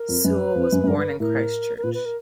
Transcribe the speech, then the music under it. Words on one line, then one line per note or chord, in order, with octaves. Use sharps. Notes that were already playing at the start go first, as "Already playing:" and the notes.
Sewell was born in Christchurch.
Already playing: A#4
F2
F#2 B4
F2
F#2
F#2
G2 A#4
B4
A#4
A2 A#4
A#4
A#2 B4
B4
A#4